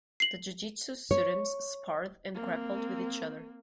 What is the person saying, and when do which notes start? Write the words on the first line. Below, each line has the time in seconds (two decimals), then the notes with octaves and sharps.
The jujitsu students sparred and grappled with each other.
0.20 C7 F#7
1.11 C#5
2.34 A#3 C4